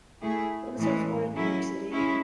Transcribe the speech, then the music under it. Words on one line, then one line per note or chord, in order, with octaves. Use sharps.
Robinson was born in New York City.
A3 E4 G#4
A2 E3 G#3
F#3 C#4 E4
G#3 C#4 E4